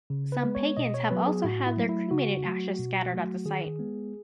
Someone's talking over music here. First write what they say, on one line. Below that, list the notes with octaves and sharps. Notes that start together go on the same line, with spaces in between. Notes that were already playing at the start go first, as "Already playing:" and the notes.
Some Pagans have also had their cremated ashes scattered at the site.
C#3
B4
G#3 B3
C#5
B2 D#5
C#5
F#3 B3 B4
G#4
A2 F#4
E4
F#3 A3
E4
C#3 F#4
F#3 A3
B2
F#3 A3
D#3 G#4
G#3 B3